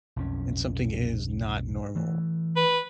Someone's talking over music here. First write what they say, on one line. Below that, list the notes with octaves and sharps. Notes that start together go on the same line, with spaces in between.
and something is not normal,
B1 F2 C#4
E3 A3
B4